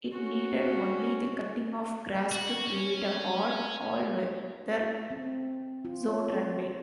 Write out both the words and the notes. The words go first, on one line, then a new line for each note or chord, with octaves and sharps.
It needed only the cutting of grass to create a hard, all-weather sod runway.
C#4 F#4
F#4
C#4
C4
F4
C#5